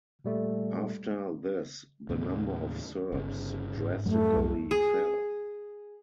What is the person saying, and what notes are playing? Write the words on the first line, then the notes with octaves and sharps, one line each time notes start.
After this, the number of Serbs drastically fell.
A#2 G3 A3
D#2 A2 C#3
G1 C#3
G#2
F2 F#3 G3 A3
C2
G#4